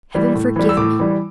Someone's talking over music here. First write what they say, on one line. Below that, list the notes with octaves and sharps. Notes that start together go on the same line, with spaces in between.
Heaven forgive me!'
E3 G3
A2
E3 G3
E6
A2 D6
E3 G3